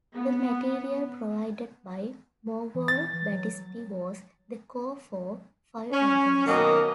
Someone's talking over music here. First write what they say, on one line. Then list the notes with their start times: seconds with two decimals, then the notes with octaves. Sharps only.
The material provided by Mogol-Battisti was the core for five albums.
0.15 B3
2.75 E3
2.88 A6
3.32 F#3
5.92 C#4
6.46 B2 D#3 F#3 A#3 F#4 D#5